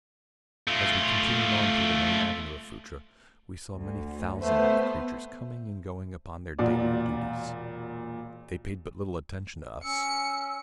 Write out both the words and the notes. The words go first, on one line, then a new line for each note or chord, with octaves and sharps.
As we continued on through the main avenue of Phutra we saw many thousand of the creatures coming and going upon their daily duties. They paid but little attention to us.
A3 F4
D2
A3 B3 B4 C5
E1 A#2 F#4 D5
C#4 E6 C#7